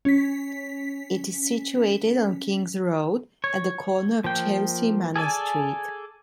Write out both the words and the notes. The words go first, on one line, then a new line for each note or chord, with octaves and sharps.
It is situated on King's Road, at the corner of Chelsea Manor Street.
C#4 B6
C#5
F3 A#3 G5
G#4 A4 D5 G#5